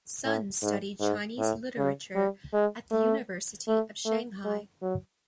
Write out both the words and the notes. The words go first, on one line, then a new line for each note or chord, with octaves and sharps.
Sun studied Chinese literature at the University of Shanghai.
A2
G#2
G#2
A2
C#3
G3
G#3
A3
A3
A3
G#3
F#3